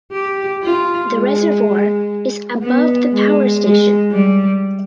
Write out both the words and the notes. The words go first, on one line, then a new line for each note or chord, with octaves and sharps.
The reservoir is above the power station.
G4
F4
G#3
B3
G#3
G#3
G3